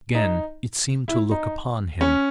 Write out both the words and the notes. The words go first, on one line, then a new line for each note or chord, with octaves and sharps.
Again it seemed to look upon him.
D#4
E4
D#4
C#4